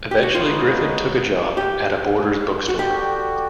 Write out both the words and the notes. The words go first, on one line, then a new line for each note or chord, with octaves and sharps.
Eventually, Griffin took a job at a Borders bookstore.
G4
F#4
G#3 B3 D#4 F4 G#4 C#5
G4
F#4
F#4 G4 A4 D5 G5